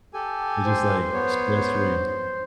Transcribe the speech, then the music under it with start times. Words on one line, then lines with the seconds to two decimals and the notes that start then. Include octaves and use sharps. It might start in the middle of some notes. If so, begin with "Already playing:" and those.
You're just, like, stress free.
0.14 G4 A4 G#5
0.65 C5
1.14 B3 C#5